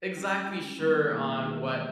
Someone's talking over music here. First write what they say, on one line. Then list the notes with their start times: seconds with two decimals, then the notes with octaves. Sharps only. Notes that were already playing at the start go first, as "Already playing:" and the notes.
exactly sure on what
0.17 G3 C#4 G4
0.47 G#3 C#4 E4
0.79 D#3 G3 B3 E4
1.10 B2 A#3 E4 G#4
1.41 D#3 G#3 D#4 G#4
1.72 E3 G#3 B3